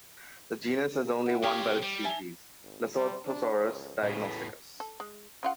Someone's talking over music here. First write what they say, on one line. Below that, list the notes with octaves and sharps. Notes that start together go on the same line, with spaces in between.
The genus has only one valid species, Lesothosaurus diagnosticus.
E4 F#5
C3 G4 G#4 F5 C#6 D#6
G3 D6
E5 G#5 A5
G#1
G3
D4
C#2
A2 C#3 B3
A4
G#3
C#3 F4 F#5